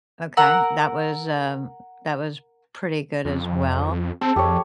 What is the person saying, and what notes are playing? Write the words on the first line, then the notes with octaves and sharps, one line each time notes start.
Okay, that was, um, that was pretty good as well,
A#4 F#5 E6
F2
C4 A4
F2 G4 C#5